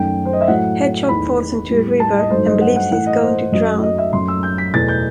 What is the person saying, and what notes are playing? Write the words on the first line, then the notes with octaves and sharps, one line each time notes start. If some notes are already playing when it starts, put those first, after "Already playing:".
Hedgehog falls into a river and believes he is going to drown.
Already playing: F#2 D#3 A3 G5
C5
D#5
E5
A2 F#3 A3 F#5
E2 D#3 A3 B5
A2 G3
A5
D#5
G2 D#3 F#3 A3 C5
D#5
F#5
F#5
A2 E3 A3 F#5
D#5
C5
F#2 F#3 A3 D#5
D#5
E5
F#2 F#3 A3 C6
E6
G6
B6
E2 B2 A3 A6
G6